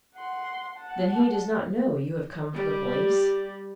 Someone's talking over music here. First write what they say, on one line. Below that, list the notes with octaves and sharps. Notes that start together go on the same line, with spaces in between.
"Then he does not know you have come for the police?"
F#5 C6
F#5 A5
G3